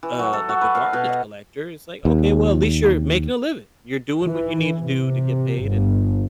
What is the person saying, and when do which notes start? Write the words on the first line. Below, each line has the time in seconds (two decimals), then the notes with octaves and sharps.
uh, like a garbage collector, it's like, "Okay, well, at least you're making a living. You're doing what you need to do to get paid," and
0.03 E3
0.19 F#3
0.33 A4
0.49 F#4
0.61 B4
0.75 F5
0.93 B2
1.09 D#5
2.05 D#2
4.25 E3
4.83 C3
5.66 G1